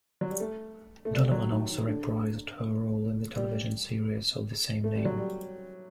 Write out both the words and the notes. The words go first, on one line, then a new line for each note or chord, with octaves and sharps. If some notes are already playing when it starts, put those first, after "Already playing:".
Donovan also reprised her role in the television series of the same name.
F#3
G3
A3
A3
G3
F#3
D#3
D#3
D3
G3
A3
G3
F#3
G3